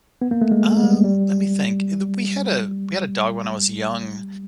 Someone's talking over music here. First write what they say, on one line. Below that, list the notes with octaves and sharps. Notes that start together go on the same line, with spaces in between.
Um, let me think. Uh, the we had a we had a dog when I was young
B3
A#3
A3
G#3
G#3
G3
G3